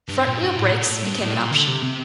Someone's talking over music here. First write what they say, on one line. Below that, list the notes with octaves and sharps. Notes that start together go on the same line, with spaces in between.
Front-wheel brakes became an option.
G2
A#2
G2
A2
A#2
A2
G2
A2
A#2
D3
C3
C3